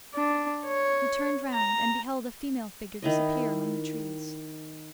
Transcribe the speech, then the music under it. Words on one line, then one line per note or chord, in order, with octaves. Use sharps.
He turned round, and beheld a female figure disappear among the trees.
D4
C#5
A#5
D#3 E4 D#5